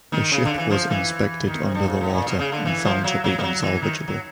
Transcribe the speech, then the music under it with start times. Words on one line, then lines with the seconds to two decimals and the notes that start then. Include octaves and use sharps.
The ship was inspected under the water and found to be unsalvageable.
0.12 D#3
0.32 C#3
0.45 D3
0.58 E3
0.70 F3
0.90 E3
1.48 D#3
1.61 C3
1.75 G2
1.87 G#2
2.01 A2
2.13 A#2
2.26 B2
2.39 C#3
2.52 D3
2.65 E3
2.85 F3
3.04 F#3
3.24 F#3
3.38 G3
3.43 F#3
3.62 E3
3.82 D#3
4.08 F#3